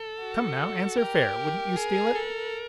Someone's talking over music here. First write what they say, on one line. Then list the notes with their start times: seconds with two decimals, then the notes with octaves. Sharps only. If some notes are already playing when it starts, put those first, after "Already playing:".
Come, now, answer fair--wouldn't you steal it?
Already playing: A4
0.19 F#4
0.97 G4 A#4
1.75 G#4
2.15 A4